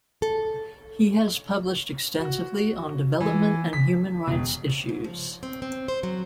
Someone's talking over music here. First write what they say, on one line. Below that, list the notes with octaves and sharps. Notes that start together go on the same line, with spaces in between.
He has published extensively on development and human rights issues.
A4
F#4
E3
B6
E1
C3
G#2
F3
C4
C4
C5
F#3